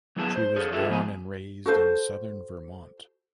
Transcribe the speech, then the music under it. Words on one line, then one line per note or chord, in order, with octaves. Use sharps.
She was born and raised in southern Vermont.
F#3 B3 E4 G#4 A5
C5
G#4 A4 C#5
F4 G#4 A4 E5
F3 B3 F5 G#5
F#4 A4 C5